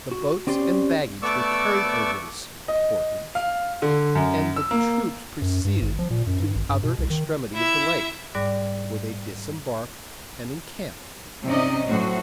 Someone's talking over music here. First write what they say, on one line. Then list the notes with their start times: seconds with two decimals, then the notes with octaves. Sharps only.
The boats and baggage were carried over this "portage," and the troops proceeded to the other extremity of the lake, where they disembarked and encamped.
0.11 F#4
0.47 C4 C#4 G4 D5 C6
1.22 A3 B3 D5 C#6 D6 E6
2.68 D#5
3.35 F5
3.82 D3
4.15 F#2
4.56 E6
4.71 A#3
5.42 F#2
5.65 G2
5.82 G#1
5.99 F3
6.10 A#2
6.27 F#2
6.40 G2
6.56 G#1
6.69 G2
6.83 B2
6.98 C2
7.10 D#3
7.53 E4 E5
8.34 G#2 G3 D5 D6 F#6
11.44 C3 C#4 D#4 D5 D#5
11.87 A2 F#3 F#4 C5